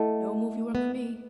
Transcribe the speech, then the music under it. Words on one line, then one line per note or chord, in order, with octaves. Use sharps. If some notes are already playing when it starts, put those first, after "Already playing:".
No movie work for me!
Already playing: A3 E4 A4 D#5 F#5 A5
B3